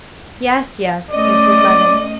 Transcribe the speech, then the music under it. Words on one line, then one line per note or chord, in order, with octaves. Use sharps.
"Yes, yes!" answered Levin.
A3 C#4 D5 D#5